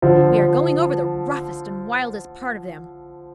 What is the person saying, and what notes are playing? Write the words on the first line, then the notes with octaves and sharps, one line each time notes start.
We are going over the roughest and wildest part of them.
D3 F3